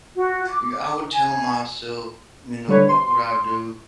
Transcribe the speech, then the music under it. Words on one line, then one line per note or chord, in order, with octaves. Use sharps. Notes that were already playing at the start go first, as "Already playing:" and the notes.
y I would tell myself, you know, what would I do?
F#4
D6
G#5
D3 G3 B4 C#5
C6